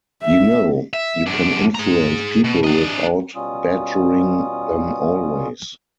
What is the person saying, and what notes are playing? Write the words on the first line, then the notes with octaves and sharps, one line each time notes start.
You know, you can influence people without badgering them always.
E5
E5
F#2 D4
G#4 A#5
B2
D4 D#5
B2 G3 C#4 F4 D#6